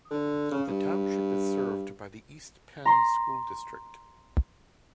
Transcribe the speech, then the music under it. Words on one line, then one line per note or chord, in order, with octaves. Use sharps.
The Township is served by the East Penn School District.
D3
C#3
G2
A#5 C6